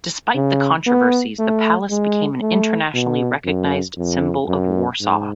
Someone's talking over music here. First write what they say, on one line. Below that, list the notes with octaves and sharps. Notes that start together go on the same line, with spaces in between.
Despite the controversies, the Palace became an internationally recognized symbol of Warsaw.
C#3
B3
A3
G#3
A3
B2
F#2
F2
F#2
G#2